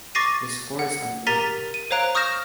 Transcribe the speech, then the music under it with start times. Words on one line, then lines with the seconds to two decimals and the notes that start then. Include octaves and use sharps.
The score is unknown.
0.15 C#6 D6 A6 A#6 C7 D#7
0.79 F#5
1.27 G4 A#4 A#5 A6 B6 D#7
1.74 D#7
1.91 C5 C#5 F5 A#5 F#6 D7
2.15 C#6 D#6 F6 G6 A#6 E7